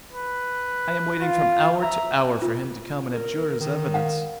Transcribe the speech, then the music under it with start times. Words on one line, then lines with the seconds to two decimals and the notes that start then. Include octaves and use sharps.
I am waiting from hour to hour for him to come and abjure his evidence.
0.13 B4
1.21 F4
1.82 E5 A#5
2.42 F4
3.14 A#4
3.61 D#3
3.94 F5 F#5